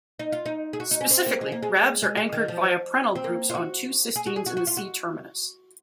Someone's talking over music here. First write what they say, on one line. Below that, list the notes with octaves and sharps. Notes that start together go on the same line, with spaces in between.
Specifically, Rabs are anchored via prenyl groups on two cysteines in the C-terminus.
D#4
F4
D#4
G#4
F#4
D#4
C#4
C4
A#3
G#3
A#3
G#3
G#3
G#3
D#3
F3
C4
A#3
F4
F#4
G#4
F#4
G#4
F#4
F#4
F4
F#4